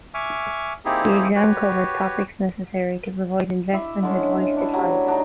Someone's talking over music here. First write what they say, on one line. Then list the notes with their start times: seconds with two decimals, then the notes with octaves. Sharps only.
The exam covers topics necessary to provide investment advice to clients.
0.14 E5 G#5 C#6 D6 F6
0.85 A#3 C4 D#4 E4 G4 G#4
1.35 F#4 G4 B4 C#5
3.73 E4 E5 C#6 D6
4.03 D3 G#3 C#4
4.56 D4 E4
4.73 F#3 G3 A3
5.06 D3 D4 D#4